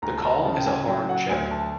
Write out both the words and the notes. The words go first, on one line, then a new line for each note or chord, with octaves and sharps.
The call is a hard "check".
D2 A#5
A5
A#5
C#3 A5
G5
G#5
F#3 G5
F#5
D2 G#5
A5